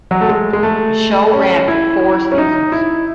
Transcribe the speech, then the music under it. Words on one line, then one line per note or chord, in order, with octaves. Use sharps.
The show ran for four seasons.
F#3
A3
G#3
G#3
A3
C#4
E4
C#4
D#4
E4